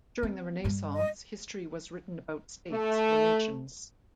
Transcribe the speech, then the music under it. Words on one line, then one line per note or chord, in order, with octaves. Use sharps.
During the Renaissance, history was written about states or nations.
C4
G2 G3
D#5
A3